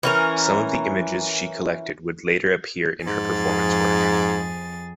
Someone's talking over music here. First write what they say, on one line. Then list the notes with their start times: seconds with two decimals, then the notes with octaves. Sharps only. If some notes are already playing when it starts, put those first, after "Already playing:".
Some of the images she collected would later appear in her performance work.
0.03 E3 C#4 A#4
3.07 F2 G#2 G#4 A6